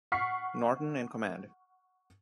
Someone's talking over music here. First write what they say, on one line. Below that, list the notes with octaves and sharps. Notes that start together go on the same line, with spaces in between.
Norton in command.
F#5 C#6 F6 B6 C7